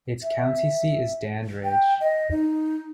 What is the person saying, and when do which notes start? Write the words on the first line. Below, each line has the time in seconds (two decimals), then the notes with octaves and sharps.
Its county seat is Dandridge.
0.23 E5
1.64 G5
2.01 D#5
2.31 D#4